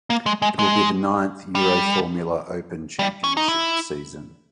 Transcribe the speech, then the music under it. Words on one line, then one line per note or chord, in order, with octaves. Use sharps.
It will be the ninth Euroformula Open Championship season.
A#3
G#3
G#3
G#3
G3
G3
C#4
D#4
E4